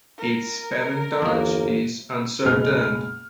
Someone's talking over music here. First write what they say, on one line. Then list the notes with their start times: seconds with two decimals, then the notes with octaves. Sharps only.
Its parentage is uncertain.
0.17 A#4
1.22 G1 E2 A#3
2.44 F#1 C#2 B2 G#3 F6